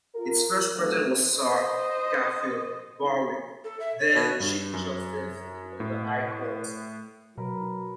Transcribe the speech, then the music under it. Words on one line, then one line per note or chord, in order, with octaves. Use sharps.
Its first president was Sir Garfield Barwick then Chief Justice of the High Court.
F4 A#4
C3 D#3 F3 F#3 A3
C5 D#5
A4
E5
C#5
B2 C#5
G2
F#2
A2
B2 F#3 A#4 B4